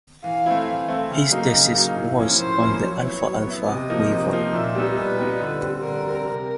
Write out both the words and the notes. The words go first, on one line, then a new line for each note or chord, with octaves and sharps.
His thesis was on the alfalfa weevil.
E3 F5
A3 C4 E4
E3
A3 C4 E4
C#3 F5
F#3 A#3 D#4
C#3
F#3 A#3 D#4
A2
F3 A#3 C#4 E4
A2 C5
F3 A#3 C#4 E4
F#3 C#5
B3 E4
F#3
B3 E4
C3 D#5
F3 A#3 D#4
C3
F3 A#3 D#4
A#2 E5
G3 B3 D#4
A#2 B4
G3 B3 D#4
D3
G3 C4
D3 A#4
G3 C4
C3 A#4